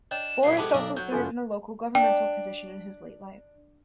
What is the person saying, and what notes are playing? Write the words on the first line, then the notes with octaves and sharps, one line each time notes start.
Forrest also served in a local governmental position in his late life.
D4 C#5 D#5 G5 E7
F#2 A#2 F3 C7
C3 G#3 B3 A4 A5 D6
B1 D4 A#4
F#3 F#5 G6
F#1 F4 A4 F#5 G#5
D4 G5